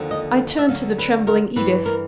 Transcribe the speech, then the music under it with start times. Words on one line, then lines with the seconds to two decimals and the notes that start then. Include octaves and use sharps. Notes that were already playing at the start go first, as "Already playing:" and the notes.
I turned to the trembling Edith.
Already playing: D#2 D3 F3
0.11 D#5
0.59 E5
0.69 D2 D3 F#3 F5
0.98 B4
1.27 A#4
1.56 G2 E3 B4
1.86 A#4